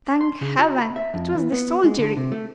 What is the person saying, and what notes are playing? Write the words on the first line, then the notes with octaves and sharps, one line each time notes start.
Thank Heaven! it was the soldiery.
C6
C#3
F#4
B5
E5
F2
E3
B3
G#3
D3
C3
A3